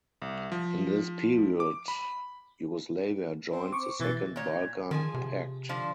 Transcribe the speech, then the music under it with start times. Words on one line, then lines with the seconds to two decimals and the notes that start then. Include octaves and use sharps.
In this period Yugoslavia joined the Second Balkan Pact.
0.22 C2
0.52 F3
1.60 D6
1.88 B5
3.52 C4
3.73 C#6 D6
4.00 B2 E3 A6
4.36 A#2 C#5
4.91 D#3 F3 G#4 G#5
5.14 C3
5.69 D3 F3 C5